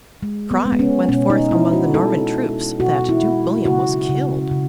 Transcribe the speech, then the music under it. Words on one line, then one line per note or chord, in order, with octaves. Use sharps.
A cry went forth among the Norman troops that Duke William was killed.
G#3
B3
G#3
B3
C#4
B2 C#4
D#4
B2 E4
F#4
G#3 A4
B2
B2 F#4
E4
G#3
C#3 F#4
C#3
C#3